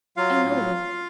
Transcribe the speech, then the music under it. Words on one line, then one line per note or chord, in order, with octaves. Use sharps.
"I know him."
F#3 F4 F5
A2